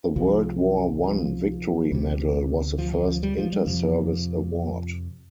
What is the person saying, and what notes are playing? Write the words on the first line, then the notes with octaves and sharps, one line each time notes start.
The World War One Victory Medal was the first inter-service award.
C2 C3 F3
F3
D2 C3
F3
F3
F3
G3
F3
G3
F2 C3 F3